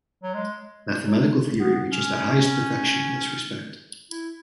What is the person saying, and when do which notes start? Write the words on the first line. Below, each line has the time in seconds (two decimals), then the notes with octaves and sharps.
Mathematical theory reaches the highest perfection in this respect.
0.23 F#3
0.34 G#3
1.05 F#3
1.60 B3
1.91 C#4
4.11 E4